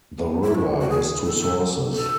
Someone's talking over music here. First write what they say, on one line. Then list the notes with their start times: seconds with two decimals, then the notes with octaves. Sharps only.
The river has two sources.
0.44 E4
0.55 F#4
0.81 F#4
0.90 G#4
1.24 A4
1.39 A4
1.94 A4